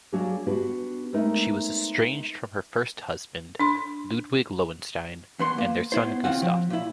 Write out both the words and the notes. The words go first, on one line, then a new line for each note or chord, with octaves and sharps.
She was estranged from her first husband, Ludwig Lowenstein, and their son Gustaf.
F#3 A#3 D4 F#4 G#4
B3 D4 F#4 G4
G#3 A3 B3 C4 D#4 A#4
D4 C6
E2 B3 C6
A#3
B3 E4 C5
D#2 C4 F4 F#5
F3
A#2 E4